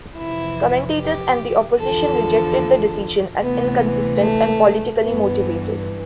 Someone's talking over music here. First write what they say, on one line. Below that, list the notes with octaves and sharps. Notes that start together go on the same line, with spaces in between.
Commentators and the opposition rejected the decision as inconsistent and politically motivated.
F2 C3 E3 E4
G4
E2 D3 F3 A4
D2 C3 E3 B3
A3
G2 E3 B3